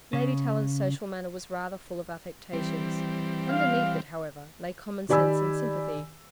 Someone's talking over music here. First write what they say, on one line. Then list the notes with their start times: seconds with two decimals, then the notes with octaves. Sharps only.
Lady Tallant's social manner was rather full of affectations. Underneath it, however, lay commonsense and sympathy.
0.13 C#3
2.53 E3 G3 C4
3.48 F5
5.09 D#3 G4 D5 G#5 B5 E6